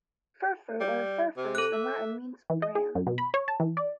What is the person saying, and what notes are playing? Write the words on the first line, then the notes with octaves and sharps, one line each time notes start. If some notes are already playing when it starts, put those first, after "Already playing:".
'Furfur' or 'furfures' in Latin means "bran".
G3
C3
A4 F#6
E5
E3
D#5
G#4
F#2
B2
B5
C#5
A5
E3
D5